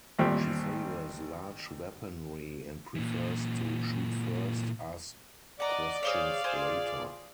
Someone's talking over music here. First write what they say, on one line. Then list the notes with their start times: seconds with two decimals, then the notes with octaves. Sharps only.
She favors large weaponry and prefers to "shoot first, ask questions later".
0.19 A1 D#2 A#2 G3 C4
2.95 A#2 E3
5.60 D5 D#5 F#5 A#5 D6
6.03 G#4 C5 C#5 F5
6.44 F4 G#4 C5